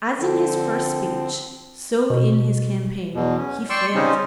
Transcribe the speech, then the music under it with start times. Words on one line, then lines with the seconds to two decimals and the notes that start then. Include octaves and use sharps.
As in his first speech, so in his campaign, he failed.
0.19 D3 F3 C4
2.10 B2
3.15 E2 B2
3.38 C#4
3.70 D5 G5 C6 C#6 E6
3.95 C#3 G3 C4 C#4 D#4